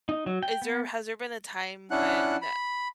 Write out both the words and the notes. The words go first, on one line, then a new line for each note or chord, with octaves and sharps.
is there has there been a time when, uh,
D#4
F#3
G5
B3
C#4 D4 E4 F#5 F#6
B5